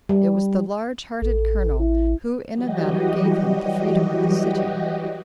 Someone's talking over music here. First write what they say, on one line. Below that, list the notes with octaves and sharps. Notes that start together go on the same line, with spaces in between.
It was the large hearted Colonel who, in a manner, gave him the freedom of the city.
G3
A1 A4
E4
E3 F#3 G3 F#4 G4 D#5